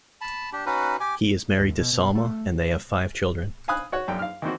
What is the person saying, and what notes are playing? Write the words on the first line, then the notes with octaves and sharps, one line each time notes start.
He is married to Salma and they have five children.
A5 B5
D4 G4
C#4 D#4 F#4 B4
G4 G#5 D6
D#2
B2
B2
A3
F5 G#5 B5 D#6 F#6
F#4 C#5 F#5
A#1 F#2 G5
F5 F6
D#3 E3 C4 F#4